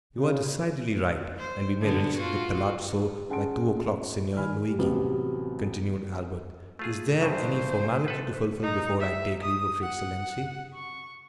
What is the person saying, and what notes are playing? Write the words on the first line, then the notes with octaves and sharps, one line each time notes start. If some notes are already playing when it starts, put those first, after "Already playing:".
"You are decidedly right, and we may reach the Palazzo by two o'clock. Signor Luigi," continued Albert, "is there any formality to fulfil before I take leave of your excellency?"
C#3
C5
A#2 D3 B3
F4 F#4
C#4 G#4 F#5 A5 C6 D7
D#3 G#5 B5 F6
G3
A1 C3 F#3 B3 G4
A3 F4 G#4
G2 C#3 F#3 C5
A4 B4
D#4
E5
D#6
F#5
C#6